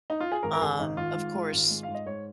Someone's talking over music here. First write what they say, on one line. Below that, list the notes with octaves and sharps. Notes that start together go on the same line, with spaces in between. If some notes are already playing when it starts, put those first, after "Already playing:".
um, of course,
D#4
F4
G#4
G#1 A#4
A#4
G#1 G#4
G#1 D#4
G#1 F4
G#2
G#3
G#1
G#3
F5
G#2
D#5
G#2 C#5